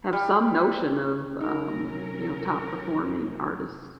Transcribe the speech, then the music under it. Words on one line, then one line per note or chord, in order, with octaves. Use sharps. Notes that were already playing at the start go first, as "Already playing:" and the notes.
have some notion of, um, you know, top performing artists.
G3
C3 F#3 C#4 D#4 A#4